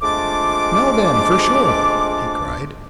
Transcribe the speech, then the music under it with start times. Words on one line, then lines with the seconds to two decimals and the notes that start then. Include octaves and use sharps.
"Now, then, for shore," he cried.
0.02 F2 G#3 A3 D4 F4 D6